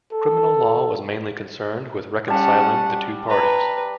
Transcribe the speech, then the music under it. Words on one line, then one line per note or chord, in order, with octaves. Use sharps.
Criminal law was mainly concerned with reconciling the two parties.
A4
G3 C#4 F#5 A5
B4 A#5